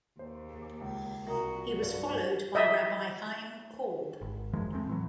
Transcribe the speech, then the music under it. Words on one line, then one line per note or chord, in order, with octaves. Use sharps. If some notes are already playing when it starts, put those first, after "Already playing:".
He was followed by Rabbi Chaim Korb.
D#2 C5
C#2
C2 F#4 A#4 A#5 D#6
G2
D#5 E5
G#1
F#2 D#3 F3 G#3
E2 G#3 A3 C4
A2 E3 F#3